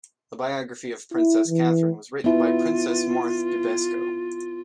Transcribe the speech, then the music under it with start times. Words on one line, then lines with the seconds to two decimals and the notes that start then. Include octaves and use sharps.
A biography of Princess Catherine was written by Princess Marthe Bibesco.
1.14 E4
1.48 E3
2.24 B3 E4 F4